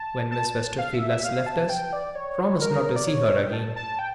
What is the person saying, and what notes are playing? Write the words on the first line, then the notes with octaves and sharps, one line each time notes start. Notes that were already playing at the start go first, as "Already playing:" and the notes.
"When Miss Westerfield has left us, promise not to see her again."
Already playing: A5
A5
F5
E5
E5
F5
A5
G5
D5
C#5
A#4
D5
C#5
G5
A5
A5
G5